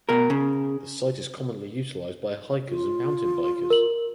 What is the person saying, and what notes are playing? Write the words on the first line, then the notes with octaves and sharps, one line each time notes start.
The site is commonly utilized by hikers and mountain bikers.
B2 A#4
C#3
F4
A#4 F#7